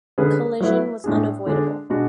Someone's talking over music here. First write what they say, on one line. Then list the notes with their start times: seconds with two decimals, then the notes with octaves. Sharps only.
Collision was unavoidable.
0.18 D3 G#3 C#4 G#4 B4
0.61 F#3 A3 E4 B4
1.04 A2 G#3 D4 G#4
1.46 D3 G#3 D4
1.90 B2 G#3 D4 F#4